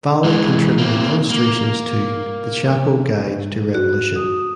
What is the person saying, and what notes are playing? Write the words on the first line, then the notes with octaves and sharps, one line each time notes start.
Valley contributed illustrations to "The Chapo Guide to Revolution".
E3 G#3
A#3 C4
A#3
F#4
D#6